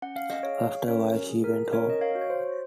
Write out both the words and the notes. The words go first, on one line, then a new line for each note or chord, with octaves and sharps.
After a while she went home.
C#4 F#5
F5
D#5
G#4 C#5 F5
C#4 A#4 C#5
G#4
A#4
C#4 A#4 C#5
D#5
C#5 F5
F#4
C#5
C5